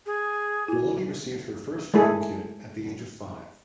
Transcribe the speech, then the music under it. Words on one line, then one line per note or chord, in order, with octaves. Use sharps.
Maloney received her first drum-kit at the age of five.
G#4
E4 F#4 G#5
G#3 A3 E4 G#4 A4